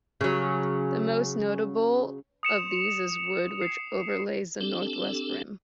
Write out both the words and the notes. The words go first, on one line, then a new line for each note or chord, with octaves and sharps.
The most notable of these is Wood, which overlays the northwest rim.
C#3 F#3
D#6 C#7 E7 F7
C7
C4 D4 G4 A4